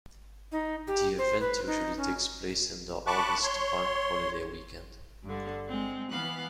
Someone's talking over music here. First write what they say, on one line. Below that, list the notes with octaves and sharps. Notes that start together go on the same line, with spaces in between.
The event usually takes place on the August bank holiday weekend.
D#4
G4
C5
B4
D#4
C#4
A5 B5 C#6 D6 F#6
C#5 C6
G2 D3
G#3 C4
E3 B3 F5 F#6